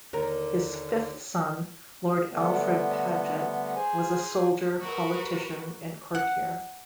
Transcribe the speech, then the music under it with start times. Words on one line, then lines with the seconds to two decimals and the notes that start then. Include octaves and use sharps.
His fifth son, Lord Alfred Paget, was a soldier, politician and courtier.
0.13 D#2 D3 A#4
2.30 D3 G3 A3 B3
3.76 G#4 C5 G#5
4.80 F#4 A#4 B4
6.15 F#5